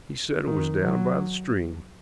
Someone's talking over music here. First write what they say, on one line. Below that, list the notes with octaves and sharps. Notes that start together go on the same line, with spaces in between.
He said it was down by the stream.
D#3
F#3